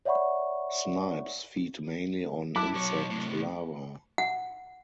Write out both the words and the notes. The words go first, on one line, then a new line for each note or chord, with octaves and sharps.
Snipes feed mainly on insect larva.
C#5 D5 E5 F#5 B5 C#6
F#3 E4 A5 D6 F#6
B2 C#5
A2 C3
F#5